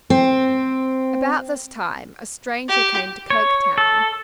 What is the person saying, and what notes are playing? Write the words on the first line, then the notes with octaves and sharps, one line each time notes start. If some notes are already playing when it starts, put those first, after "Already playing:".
About this time a stranger came to Coketown.
C4
G4
C#5
A4